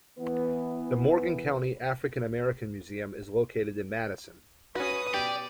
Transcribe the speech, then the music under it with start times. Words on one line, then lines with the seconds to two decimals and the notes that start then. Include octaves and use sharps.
The Morgan County African American Museum is located in Madison.
0.19 E3 B3 B4
4.75 C#4 F#4 B4 C#6 D#6
5.14 B2 G4 D5